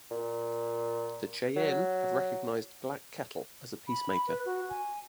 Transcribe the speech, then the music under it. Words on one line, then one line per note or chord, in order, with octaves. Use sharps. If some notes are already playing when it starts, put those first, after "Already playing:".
The Cheyenne have recognized Black Kettle as a peacemaker.
A#2
F#3
B5
B4
F#4
G#5